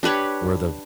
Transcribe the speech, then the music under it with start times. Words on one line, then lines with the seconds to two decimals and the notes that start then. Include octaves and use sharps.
Where the
0.03 D4 G4 B4 C#5